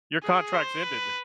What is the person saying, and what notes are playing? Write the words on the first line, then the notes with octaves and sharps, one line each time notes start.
your contract's ended.
G#4
C5
B4